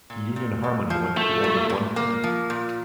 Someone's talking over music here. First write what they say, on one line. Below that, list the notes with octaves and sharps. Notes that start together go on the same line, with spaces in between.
Union Harmony went through only one printing.
A#2
A#2
A#2
F3
F3 A3
A#2
A#2
A#3
F3
A#2